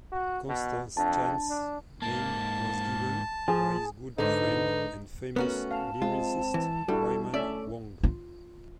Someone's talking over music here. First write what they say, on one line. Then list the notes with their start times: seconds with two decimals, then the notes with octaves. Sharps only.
Constance Chan's name was given by his good friend and famous lyricist Wyman Wong.
0.12 F#4
0.49 B2
0.97 F2 D4 A5
1.49 D4
2.02 G#2 A#3 A5
3.48 F3 G#4
4.18 G#2 D3 D#4 B4
5.36 A3 B3 C#4 F#4 A#4
5.71 F5 A5
6.02 G#3 C4 F4
6.54 E3
6.88 G3 D4 E4 F#4 A4
7.34 A3 C#4 D5 E5
8.03 F4